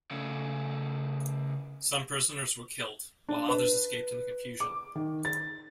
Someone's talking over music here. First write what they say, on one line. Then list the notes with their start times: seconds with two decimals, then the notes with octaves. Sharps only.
Some prisoners were killed, while others escaped in the confusion.
0.11 C#3 A3
3.29 D4
3.49 B4
4.60 D6
4.95 D#3
5.25 A6